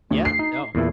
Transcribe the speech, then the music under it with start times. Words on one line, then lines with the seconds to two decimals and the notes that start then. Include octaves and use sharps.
Yeah, no.
0.11 D2
0.25 C7
0.39 D#4
0.75 E2 A#2 E4